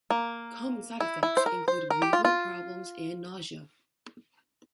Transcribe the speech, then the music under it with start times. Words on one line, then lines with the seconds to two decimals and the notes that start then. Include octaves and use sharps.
Common side effects include movement problems and nausea.
0.10 A#3
1.00 E4
1.23 E4
1.37 C5
1.46 A#4
1.68 C5
1.90 A#4
2.02 G4
2.13 F4
2.25 F4